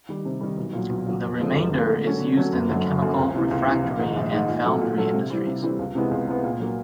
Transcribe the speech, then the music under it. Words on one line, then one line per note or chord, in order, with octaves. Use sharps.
The remainder is used in the chemical, refractory, and foundry industries.
D#3 G3
C3
D#3 G3
B1
A#2 F#3
B1
A#2 F#3
F1
F2 D3 F3 G#3
F1
F2 D3 F3 G#3
D3
F#3 A3 C#4
D3
F#3 A3 C#4
F#1
F#2 D3 F#3
F#1
F#2 D3 F#3
C#2
C3 E3
C#2
C3 E3
A#1
G#2 D#3 G#3
A#1
G#2 D#3 G#3
A#2
F#3 A3
A#2
F#3 A3
C3
E3 G3 C4
C3
E3 G3 C4
C#2
C3 E3 G#3 B3
C#2
C3 E3 G#3 B3
A#2
F#3 A#3